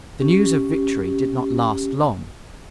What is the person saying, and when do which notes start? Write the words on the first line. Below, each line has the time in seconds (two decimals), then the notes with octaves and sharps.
The news of victory did not last long.
0.20 C#4 G4